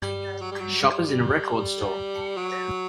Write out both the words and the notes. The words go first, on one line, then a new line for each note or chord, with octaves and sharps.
Shoppers in a record store.
G3
F#3
G3
F#3
G3
F#3